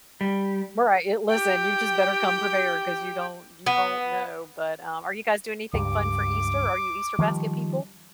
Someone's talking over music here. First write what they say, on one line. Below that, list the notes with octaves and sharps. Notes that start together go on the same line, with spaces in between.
Well, right, i listen, you just better come prepared 'cause you don't you don't know, but, um, are you guys doing anything fun for Easter? Are you Easter basket people?
G3
G4 G5
B3
C#2 G2 G3 D6
D#3 F3 G3